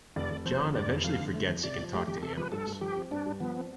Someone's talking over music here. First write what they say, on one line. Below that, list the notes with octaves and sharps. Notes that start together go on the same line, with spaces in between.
John eventually forgets he can talk to animals.
F1 D5
F1
F2 C5
D3
F1 D5
F1
F2 F5
D3
A3
F2
C3 D5
F3
A3 G4
F2 G4
C3 A4
F3 B4
G2 A4
G2
F3 G4
C4
G2 D4
G2
F3 B3
C4